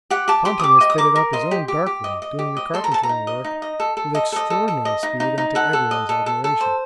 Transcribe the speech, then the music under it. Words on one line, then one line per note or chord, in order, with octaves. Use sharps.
Ponting has fitted up his own dark room--doing the carpentering work with extraordinary speed and to everyone's admiration.
G4 F#5
G4 A5
G4 C6
D#6
G4 D6
D#5
D#6
A#4 D6
A#4
D#5 C6
G4
G4
G4
D#5
D#5
G4
D#5
A4 C6
A#5
A4 A5
A#5
D#4
D#5
D#4
D#5
A4
A4
A4 D#5
A4 D#5
A4
A4
D#5
D#4
D#4
D#4
A4 F#5
A4
D#5
A4
A4
A4
C5